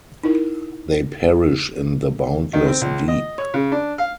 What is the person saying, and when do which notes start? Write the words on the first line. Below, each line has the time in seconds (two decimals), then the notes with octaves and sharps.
They perish in the boundless deep.
0.24 D#4 E4 A#4
2.53 D#3
2.66 C4
2.81 C#2
3.08 D#5
3.38 C#5
3.54 C#3
3.72 D4
3.98 F5